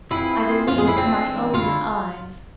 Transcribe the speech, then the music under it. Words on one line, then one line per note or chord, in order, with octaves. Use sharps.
I believe my own eyes.
C4 E4 F4 G#4 B4
C4 F4 G#4 C5
F3 G#3 B3 F4
G#4
E4
A3 C4 D4 F4
E3 G#3 D4
D3 A3 E4 F4